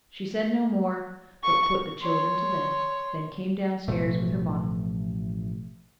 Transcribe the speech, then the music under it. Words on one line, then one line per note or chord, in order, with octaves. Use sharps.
She said no more; but put the children to bed; then came downstairs with her bonnet on.
C#6
C#5 C6
A1 B2 F3 A3